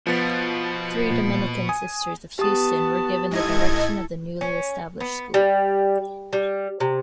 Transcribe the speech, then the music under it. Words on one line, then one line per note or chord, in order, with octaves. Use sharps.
Three Dominican Sisters of Houston were given the direction of the newly established school.
B2 F3 B3 A6
A#2
G#5 D#6
B3 G4 A5 D#6
G#2 E4 A4 D#5 G#6
C#4
B3
G3
G3
C3